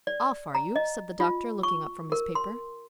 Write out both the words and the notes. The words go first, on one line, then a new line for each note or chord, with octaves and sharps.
"Off, are you?" said the doctor, looking up from his paper.
D5
A#5
D#5
F4
C#6
A#4
C6